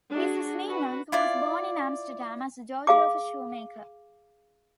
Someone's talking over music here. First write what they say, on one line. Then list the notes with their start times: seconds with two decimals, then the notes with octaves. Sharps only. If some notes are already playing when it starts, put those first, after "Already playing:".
Mrs. Niemans was born in Amsterdam as the daughter of a shoemaker.
0.12 D4 F#4 G#4
0.67 F#4 B4
1.12 E4 F4 D5
2.87 G#4 F5 D6